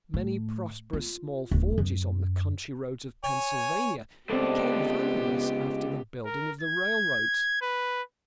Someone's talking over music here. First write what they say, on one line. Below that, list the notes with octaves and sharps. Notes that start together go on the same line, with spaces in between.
Many prosperous small forges on the country roads of Pennsylvania became valueless after the building of the railroads.
A2
F4
D1
F#2
C#5 G#5
C#2 B3 C4 D4 G4 A4
A#4
G#6
B4